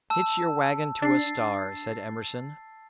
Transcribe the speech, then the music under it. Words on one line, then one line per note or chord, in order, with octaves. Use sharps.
"Hitch your wagon to a star," said Emerson.
A5 E6
D4 A6 C7